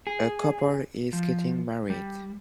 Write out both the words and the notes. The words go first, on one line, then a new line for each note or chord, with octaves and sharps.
A couple is getting married.
G#4
F3
G3